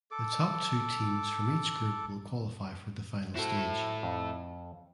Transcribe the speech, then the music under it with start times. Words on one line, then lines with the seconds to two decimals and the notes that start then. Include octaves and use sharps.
The top two teams from each group will qualify for the final stage.
0.11 A4 D6
3.35 E4 F#4 A4 C5
4.03 F2